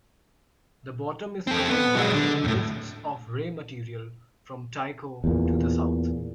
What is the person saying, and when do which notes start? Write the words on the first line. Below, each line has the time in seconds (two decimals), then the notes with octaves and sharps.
The bottom is covered by wisps of ray material from Tycho to the south.
1.47 C4 A4
1.69 B3
1.95 F#3 G#3
2.13 D3
2.44 F2 A2
5.24 E2 A#2